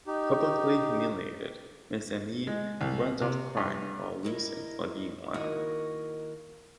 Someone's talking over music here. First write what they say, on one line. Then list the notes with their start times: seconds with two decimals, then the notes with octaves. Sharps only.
Publicly humiliated, Miss Aimee runs off crying while Luce and Claudine laugh.
0.07 D#4 G4
2.47 G#3
2.81 C2
3.22 C3
3.57 G2
4.23 G3 E4 A#4 D#5
5.34 D#3 A#3 E4 F#4 A#4 D#5